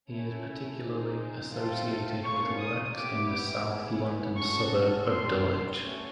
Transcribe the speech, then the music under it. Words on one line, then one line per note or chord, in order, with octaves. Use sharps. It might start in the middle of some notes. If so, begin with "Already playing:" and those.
He is particularly associated with works in the south London suburb of Dulwich.
A3 C#4 E4
C4 D#4 G#4
A3 C4 F4 A4
A#3 C#4 F4 C#6
D#6
B3 E4 G4 D6
B3 E4 G#4
C#4 F#4 A4 C#6
B3 D4 G4 C6
A3 C#4 F#4